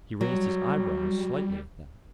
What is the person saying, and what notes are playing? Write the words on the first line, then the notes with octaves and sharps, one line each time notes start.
He raised his eyebrows slightly at that.
F#3 G3